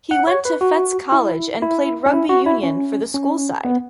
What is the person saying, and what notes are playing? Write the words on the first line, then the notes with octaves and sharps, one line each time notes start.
He went to Fettes College and played rugby union for the school side.
F#5
C#5
B4
F#4
E4
E4
C#4
E4
F#4
E4
C#4
C#4
B3